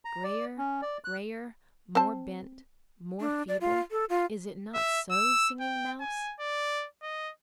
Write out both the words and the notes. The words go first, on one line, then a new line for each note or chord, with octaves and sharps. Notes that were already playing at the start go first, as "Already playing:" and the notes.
Grayer, grayer, more bent, more feeble--is it not so, Singing Mouse?
A#5
D5
C#4
D5
F#6
C4 C5 A5
D4
D5
F4
A4
F4
E5
E6
G5
G#5
D5
D#5